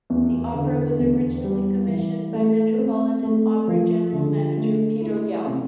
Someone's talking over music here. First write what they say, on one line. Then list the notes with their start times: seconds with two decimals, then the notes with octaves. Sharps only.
The opera was originally commissioned by Metropolitan Opera general manager Peter Gelb.
0.10 E2
0.54 D3
0.99 E2
1.44 G3
1.88 E3
2.34 A3
2.78 C4
3.23 A3
3.68 F3
4.13 D3
4.57 A3
5.01 E4
5.47 C3